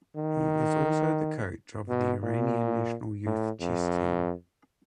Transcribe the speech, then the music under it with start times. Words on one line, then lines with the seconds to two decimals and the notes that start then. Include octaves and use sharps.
He is also the coach of the Iranian national youth chess team.
0.16 D#3
1.89 B2
2.23 A#2
3.26 A2
3.60 F2